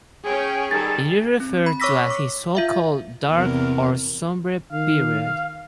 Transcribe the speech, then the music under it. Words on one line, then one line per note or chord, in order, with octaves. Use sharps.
It is referred to as his so-called dark or sombre period.
C#4 G#4 C#5 G5
D#3 G3 A4 A6
C4
B5
C#5 C#6 D6 E6 A#6 B6
D6
F4 E5 F5
E2 C3 A#4
D#3 F5